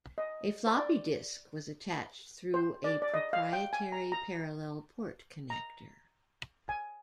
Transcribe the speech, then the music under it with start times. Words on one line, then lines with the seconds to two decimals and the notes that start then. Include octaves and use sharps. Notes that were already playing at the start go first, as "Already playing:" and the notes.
A floppy disk was attached through a proprietary parallel port connector.
0.18 D#5
0.67 C5
0.77 D5
2.54 C5
2.84 D5
3.02 D5
3.14 D#5
3.33 F5
3.53 G5
3.73 G#5
3.92 A#5
4.12 A#5
5.50 A#5
6.69 G#5